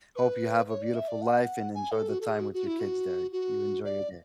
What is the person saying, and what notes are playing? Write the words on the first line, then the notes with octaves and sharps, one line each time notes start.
hope you have a beautiful life and enjoy the time with your kids there. You enjoy your day.
B4
C#5
D5
E5
D5
F#5
G#5
A4
F#4
A4
G#4
F#4
F#4
E4
F#4
F#4
D5